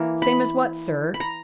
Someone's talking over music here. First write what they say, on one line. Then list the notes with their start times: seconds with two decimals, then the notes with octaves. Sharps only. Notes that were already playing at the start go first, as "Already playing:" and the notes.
"Same as what, sir?"
Already playing: E3 A#3
0.22 B5
1.14 B5
1.20 A#5